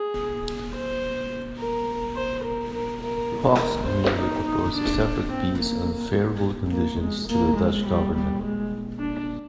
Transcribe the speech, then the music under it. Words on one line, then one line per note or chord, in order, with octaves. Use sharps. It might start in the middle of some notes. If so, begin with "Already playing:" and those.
Fox immediately proposed a separate peace on favorable conditions to the Dutch government.
Already playing: G#4
C5
A#4
C5
A#4
A#4
A#4
A#4
C5
D#4
D#4
D4
C4
A#3
A#3
G#3
A#3
G#3
G3
G3
G#3
D4